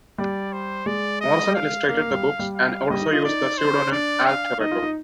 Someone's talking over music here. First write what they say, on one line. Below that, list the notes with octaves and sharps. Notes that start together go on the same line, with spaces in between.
Morrison illustrated the books and also used the pseudonym Al Terego.
G3 D5
C5
G#3 D5
D#5
F5
A#3 F5
A#3
G3
G3
F5
G3 D#5
D#4
F4
D#4 D5
C5
D4 D5
F5
D#4 D#5
F4
D#4